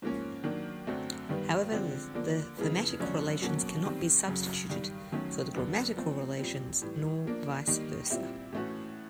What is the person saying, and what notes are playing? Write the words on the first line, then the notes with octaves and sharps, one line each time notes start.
However, the thematic relations cannot be substituted for the grammatical relations, nor vice versa.
G#2 F3 A#3 C#4
D#3 F#3 A#3 D4
F#2 D3 F#3 A3 C4
G2 D#3 G3 B3
D3 F3 G#3 C4
D3 F3 A#3
F2 C#3 E3 G#3 B3
F2 D3 F#3 A3 C#4
B2 F#3 A#3 C#4 F#4
D#3 G3 C4
F#2 C#3 F#3
G2 D#3 G3
D#3 F#3 A3 C#4
F#2 D3 F#3 B3 D4
F3 A3 C4
A#2 G3 C4
A2 E3 G3
F3 A#3 D4
D#3 G3 A#3 D#4 G4
A#2 G3 C4 E4
A2 E3 A3 C#4 F#4